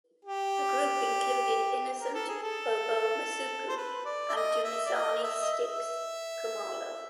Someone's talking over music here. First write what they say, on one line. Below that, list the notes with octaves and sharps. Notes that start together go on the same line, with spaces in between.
The group included Innocent "Bobo" Masuku and Dumisani "Stix" Khumalo.
G4
A#4
A4
G#4
A4
C5
B4
D5
E5
D#5
E5
D5
D#5
E5
D#5
E5